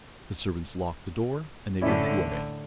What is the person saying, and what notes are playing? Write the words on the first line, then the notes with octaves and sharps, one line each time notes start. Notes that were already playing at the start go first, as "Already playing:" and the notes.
The servants locked the door, and they went away.
A2 D3 C#4 E4 D5